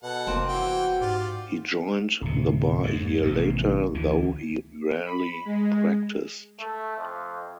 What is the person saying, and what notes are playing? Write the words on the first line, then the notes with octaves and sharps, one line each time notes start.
He joined the bar a year later, though he rarely practiced.
B2 A4 F#5
F1 A#3 C4
E3 F#4 G5
G#2 F4 G4 D5
D1 C3
F2 G#2
A1 E2 C3
D2 E3
B5
G#3
A3
F2